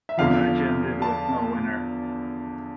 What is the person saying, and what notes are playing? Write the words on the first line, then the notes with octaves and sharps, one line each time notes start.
The match ended with no winner.
E5
E2 D3 F3 F5
A5